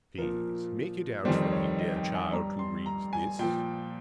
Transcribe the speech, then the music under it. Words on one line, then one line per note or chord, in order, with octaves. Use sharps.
Please make it out for me, dear Child who reads this!
A#2 F3 A#4
F2 D#3 G3 C5
C5
C#5
D#5
G5
G#5
G2 G3 A#5
C6
A#5
G#5
A#2 F3 G5